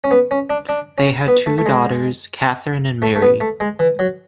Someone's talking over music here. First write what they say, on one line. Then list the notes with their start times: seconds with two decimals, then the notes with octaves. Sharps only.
They had two daughters, Katherine and Mary.
0.04 C#4
0.11 B3
0.31 C#4
0.50 D4
0.69 D4
0.98 C#4
1.28 B3
1.46 A3
1.58 A3
1.66 G#3
3.02 A3
3.16 A3
3.22 B3
3.41 A3
3.60 G#3
3.79 E3
3.99 F#3